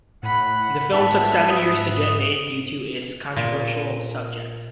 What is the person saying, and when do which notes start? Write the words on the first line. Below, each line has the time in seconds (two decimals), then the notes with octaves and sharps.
The film took seven years to get made due to its controversial subject.
0.23 A2 F#5 B5
0.92 G#2 B3 E5 A5
1.50 D#6
3.37 A#2